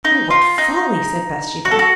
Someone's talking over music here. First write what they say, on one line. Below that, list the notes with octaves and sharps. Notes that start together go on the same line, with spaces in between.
"Oh, what folly!" said Bathsheba.
D#4
F4
D#4
F#4
A4
F#4